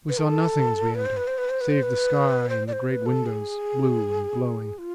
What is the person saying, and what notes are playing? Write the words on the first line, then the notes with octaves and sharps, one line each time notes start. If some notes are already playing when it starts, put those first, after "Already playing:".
We saw nothing as we entered, save the sky in the great windows, blue and glowing.
B4
A4
B4
C5
B4
C5
B4
C5
B4
C5
B4
C5
D5
C5
C5
B4
A4
G#4
F4